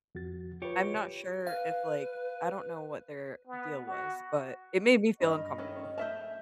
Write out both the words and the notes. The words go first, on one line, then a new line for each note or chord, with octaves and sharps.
I'm not sure if, like I don't know what their deal was, but it made me feel uncomfortable
F2 F#4 A6
F4 G4 B4 C#5
B4 F5
B3
F#4
G2 D#5 B5 F6
D#3 A3 C#4
A3 E5 A5 F6 G6